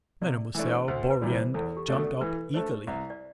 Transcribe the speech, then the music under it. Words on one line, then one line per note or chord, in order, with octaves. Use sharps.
Mademoiselle Bourienne jumped up eagerly.
C3 D5
E3 A3 D4
C5
D2 C5
B4
C3 E3 G3
C5
E2 A4
G4
B2 A3 D4
A4
E3 B4
A3 D4 A4 C5
C2 D5
D5